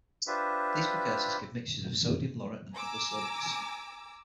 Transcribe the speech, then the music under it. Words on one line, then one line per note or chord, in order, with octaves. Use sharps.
These precursors give mixtures of sodium laurate and other soaps.
D4 F4 G4 B4 C5 E5
G#5 A#5 D6 E6